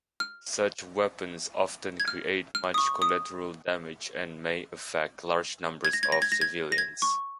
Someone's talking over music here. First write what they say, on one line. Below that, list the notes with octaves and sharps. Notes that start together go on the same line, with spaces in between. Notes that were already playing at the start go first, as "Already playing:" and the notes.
Such weapons often create much collateral damage and may affect large numbers of civilians.
F6
G#6
F6
F6
D#6
C#6
D#6
G#6
A#6
G#6
A#6
G#6
A#6
G#6
A#6
G#6
C#6